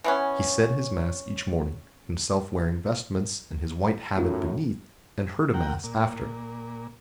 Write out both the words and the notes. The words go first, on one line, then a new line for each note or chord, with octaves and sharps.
He said His mass each morning, Himself wearing vestments and His white habit beneath, and heard a mass after.
E3 B3 C#4
F#2 A2 D#4 F4
A#4 F#5 G5
A#2